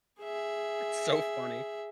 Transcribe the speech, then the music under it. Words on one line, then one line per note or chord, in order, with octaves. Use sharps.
It's so funny.
G#4 E5